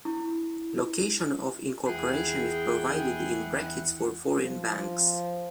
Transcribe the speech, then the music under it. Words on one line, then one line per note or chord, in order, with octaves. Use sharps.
Location of incorporation is provided in brackets for foreign banks.
E4
E2 E4 G#4 F#5 G5
F3